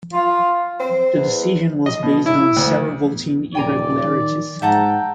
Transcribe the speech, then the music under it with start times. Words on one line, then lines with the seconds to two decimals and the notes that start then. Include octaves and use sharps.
The decision was based on several voting irregularities.
0.13 F4
0.80 C4 C5
1.16 E2
1.86 D#5
2.03 B2
2.26 E4
2.56 D2
3.12 E2
3.55 D#1 D5 G5 G#5 A#5
4.02 D#3
4.62 G#2 E5 F#5 G5 A5 A#5 G6